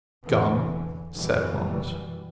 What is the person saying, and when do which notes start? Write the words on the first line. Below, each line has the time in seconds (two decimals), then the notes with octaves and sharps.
"Gum," said Holmes.
0.24 E2 D3 E3
1.16 F#2 B2 E3 G3